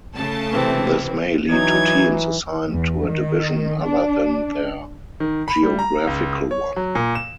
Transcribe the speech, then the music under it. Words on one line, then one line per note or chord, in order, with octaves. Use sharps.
This may lead to teams assigned to a division other than their geographical one.
C#3 A3 A5
C3 E3 C4
E3 F#3 D#4 G#6
E2
D#3
D4
D#3
B5
G3
A#5
C#2
C#5
F#3
A#2
E7